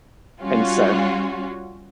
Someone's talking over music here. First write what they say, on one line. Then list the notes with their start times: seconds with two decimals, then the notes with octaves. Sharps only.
And so
0.41 G3 C#4 F4 F#4